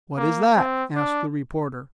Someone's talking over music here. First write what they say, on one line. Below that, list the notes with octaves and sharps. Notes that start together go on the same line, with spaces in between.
"What is that?" asked the reporter.
A#3
C4
D4